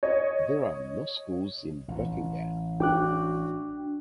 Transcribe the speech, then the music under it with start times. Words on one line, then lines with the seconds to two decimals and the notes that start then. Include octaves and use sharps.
There are no schools in Buckingham.
0.03 C#5 D#5
1.88 A1 A2
2.80 D4 F#4 G5 D6 F#6